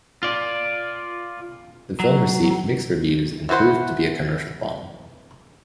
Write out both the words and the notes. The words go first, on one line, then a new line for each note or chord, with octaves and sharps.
The film received mixed reviews and proved to be a commercial bomb.
F4 D5
F#3
E3 F#4 B4 C5 F#5